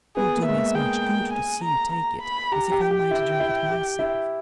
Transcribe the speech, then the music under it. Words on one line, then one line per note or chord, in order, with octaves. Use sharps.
It will do me as much good to see you take it as if I might drink it myself.'
B3 G#4
A#3
G#3 E5
A#3
G#4 G5
G#5
A#5
A#5
B5
G4 A#5
G4
G5
G4
E4
E4
G4
E4